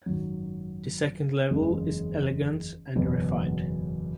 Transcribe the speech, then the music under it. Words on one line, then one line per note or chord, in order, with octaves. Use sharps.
The second level is elegant and refined.
G#1 F#2 D#3 F#3
F#1 E2 C#3 G#3
F#1 E2 B2 F#3 B3